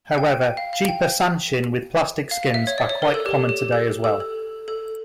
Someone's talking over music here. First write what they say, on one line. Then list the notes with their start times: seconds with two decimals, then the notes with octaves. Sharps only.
However, cheaper sanshin with plastic skins are quite common today as well.
0.18 G5
0.41 G5
0.57 F5
0.73 F5
0.88 G5
2.31 F5
2.54 E5
2.67 C#5
2.78 D5
2.89 C#5
3.02 A#4
3.14 A4
3.26 G4
3.49 G4
3.72 A4
4.04 A4
4.20 A4
4.68 A4